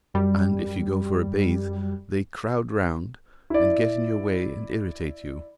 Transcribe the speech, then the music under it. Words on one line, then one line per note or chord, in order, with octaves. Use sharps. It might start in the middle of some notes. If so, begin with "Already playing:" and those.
And, if you go for a bathe, they crowd round, and get in your way, and irritate you.
F#2 G3
E4 D5